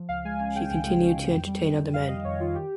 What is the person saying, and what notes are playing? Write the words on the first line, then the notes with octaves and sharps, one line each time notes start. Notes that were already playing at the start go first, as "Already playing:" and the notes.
She continued to entertain other men.
Already playing: F3
C#2 F5
G#3 G#5
C#4 G#5
C#3 G5
C#2 G5
G#3
C#4
C#3
F2
G3
F2
D#3
F2 F5
G3 D#5
F2 C#5
D#3 F4
G4